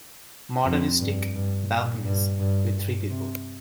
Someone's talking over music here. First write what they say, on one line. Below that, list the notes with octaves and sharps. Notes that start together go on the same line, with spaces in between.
Modernistic balconies with three people.
F2
G2
G2
A#2
G2
G2
G2
C3